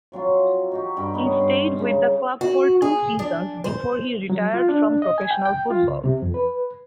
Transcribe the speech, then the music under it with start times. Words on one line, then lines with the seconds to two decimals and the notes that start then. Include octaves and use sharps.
He stayed with the club for two seasons before he retired from professional football.
0.12 F3 F#3 C4 F4
0.71 D#4 F#4 G4
0.97 G2 G5 A#5 B5
1.14 B3 C#4 D#4 A#4
1.40 G2 C6
1.79 C#3 A#5
2.41 F#4
2.82 G#4
3.19 D4
3.64 C5
4.30 F#3
4.54 F4
4.69 D4
5.02 D#5
5.18 G#5
5.31 G5
5.45 G5
5.71 F4
5.85 C#2
6.04 C3
6.22 F2
6.34 B4